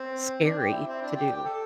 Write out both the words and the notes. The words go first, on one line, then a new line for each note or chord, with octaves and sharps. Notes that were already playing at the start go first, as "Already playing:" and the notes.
scary to do,
Already playing: C4
D4
G4
E4
C4
D4
G4
G4
A4